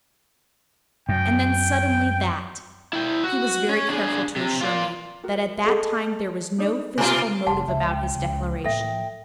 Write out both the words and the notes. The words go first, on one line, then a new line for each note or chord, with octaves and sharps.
And then, suddenly, that--He was very careful to assure me that at that time there was no physical motive about his declaration.
F#2 G5
E4 G5
F#4
C#4
D4 G#4
C3
F4 D5
F#4 A#4
G#4 A4 D#5
D4 D#4 D5
B2 C#4 F4 B4 A#5
F1 F#5 A5 C6
C#2 E5
G5
C#2
A2 A#3 A4 E5 G5